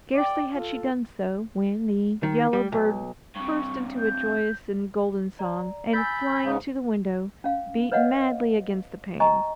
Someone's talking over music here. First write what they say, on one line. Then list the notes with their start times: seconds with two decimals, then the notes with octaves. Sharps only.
Scarcely had she done so, when the yellow bird burst into a joyous and golden song, and flying to the window, beat madly against the panes.
0.15 D5 G5
0.53 F4 A4
2.23 D#3
2.53 G3
2.72 B1
3.35 G2 C3 C#6
3.98 G6
5.39 D5 A#5
5.93 G#5 B5 E6 G6 A6
6.43 G#2 C#3
7.44 C#4 F5
7.92 B4 C#5 D#5 F5 F#5
9.20 D#5 G#5 A#5 C#6